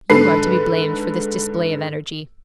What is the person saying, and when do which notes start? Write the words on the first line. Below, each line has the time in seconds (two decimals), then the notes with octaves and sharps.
You are to be blamed for this display of energy.'
0.10 G#2 D3 A4 B4 C7